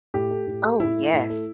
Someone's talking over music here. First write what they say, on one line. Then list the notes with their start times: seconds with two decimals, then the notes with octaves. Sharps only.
Oh, yes.
0.14 A2 G4
0.31 A3
0.47 A2
0.63 A3
0.79 A2 E4
0.97 A3
1.13 A2
1.30 A3